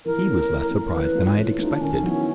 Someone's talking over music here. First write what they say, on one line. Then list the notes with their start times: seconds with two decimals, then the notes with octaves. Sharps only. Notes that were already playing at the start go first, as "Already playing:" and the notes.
He was less surprised than I had expected.
0.06 E3 A#4
0.27 A3 C#4
0.49 E3
0.71 A3 C#4
0.93 E3 B4
1.15 A3 C#4 F4
1.37 E3
1.59 A3 C#4 D#4 F4
1.70 D4
1.81 D#3 C#4
2.03 F#3 B3 E4